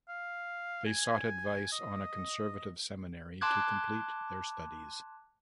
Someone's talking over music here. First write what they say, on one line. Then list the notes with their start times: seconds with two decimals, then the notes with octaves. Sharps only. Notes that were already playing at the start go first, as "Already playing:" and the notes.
They sought advice on a conservative seminary to complete their studies.
0.09 F5
0.86 G#5
1.72 D#5
3.41 A5 C6 D6 F#6 G#6